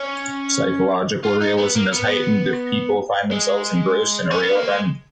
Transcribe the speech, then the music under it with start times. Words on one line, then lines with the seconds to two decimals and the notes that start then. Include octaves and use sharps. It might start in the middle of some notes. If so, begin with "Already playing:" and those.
Psychological realism is heightened if people find themselves engrossed in a real event.
Already playing: C#4
1.24 F4
1.42 D#4
1.58 B3
1.76 A#3
1.93 B3
3.31 G#3
4.31 C#4
4.43 B3
4.55 A#3
4.68 G#3